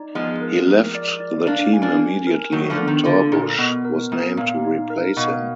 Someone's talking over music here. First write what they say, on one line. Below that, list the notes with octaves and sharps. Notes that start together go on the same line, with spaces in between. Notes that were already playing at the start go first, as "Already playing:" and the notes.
He left the team immediately, and Torbush was named to replace him.
Already playing: D#4 D5
F3 G#3 B3
A#4
A#4
D5
D5
A#3 D4 F5
G#5
A#3 D4
G#5
A#4
D#3 F#3 A#4
D3 F3
B3
D#3
D3 F4
A#2 A#4
B2 B3
A#4
G#2 B3
A#2 F5
D#4
A#4
B2 F5